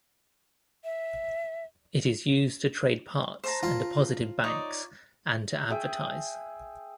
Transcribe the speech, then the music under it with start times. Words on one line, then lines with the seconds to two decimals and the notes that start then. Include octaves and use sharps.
It is used to trade parts and deposit in banks, and to advertise.
0.84 E5
3.44 C5 A5 A#5
3.63 F4
4.44 D#4 C#5 D5
5.70 G#4 E5 G5